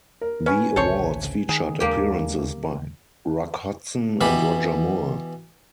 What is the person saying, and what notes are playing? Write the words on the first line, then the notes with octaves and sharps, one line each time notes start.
The awards featured appearances by Rock Hudson and Roger Moore.
A#4
C#4 B4 G#5
A1 D2 C#3 A4 C5 C#5
D#3 G#4
D#2 G#3 A#3 D4 G4
B2 E3 G4 B5